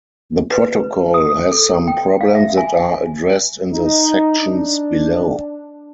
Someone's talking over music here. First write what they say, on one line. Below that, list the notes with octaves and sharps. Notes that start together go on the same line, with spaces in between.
The protocol has some problems that are addressed in the sections below.
B4
D#6
A4
G5
F5
E5
G#5
D#4
D4